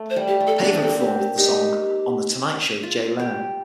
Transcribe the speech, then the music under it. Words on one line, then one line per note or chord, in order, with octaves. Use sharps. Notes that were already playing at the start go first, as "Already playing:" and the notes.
Pavement performed the song on "The Tonight Show with Jay Leno".
Already playing: A3
C5
G3
G4
A3
A4
D4 G4
C4
A#3 A4
C4
G4
G4
D#4 G4
F4
G4